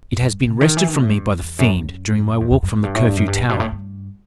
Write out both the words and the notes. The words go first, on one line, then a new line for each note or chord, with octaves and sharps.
It has been wrested from me by the fiend, during my walk from the Curfew Tower.
F#2
G2
C3
D#3
E3
D#3
A2
G2
E2
E2
F#2
F#2
E2
E2
F#2
F#2
G2
A2
G2
F#2
G2
A2
B2
G2
A2
G2